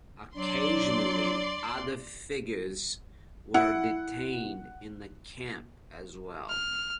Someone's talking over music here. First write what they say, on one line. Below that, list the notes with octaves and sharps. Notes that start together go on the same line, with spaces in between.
Occasionally other figures were detained in the camp as well.
F#3 D4 D5 C6
E4 F#5
F6